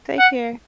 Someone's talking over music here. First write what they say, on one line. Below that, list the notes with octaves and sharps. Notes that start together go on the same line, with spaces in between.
take care.
F#5